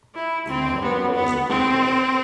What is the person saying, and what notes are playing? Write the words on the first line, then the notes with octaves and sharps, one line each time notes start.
Immanuel is a good boy.
E4
C4
B3
B3
C4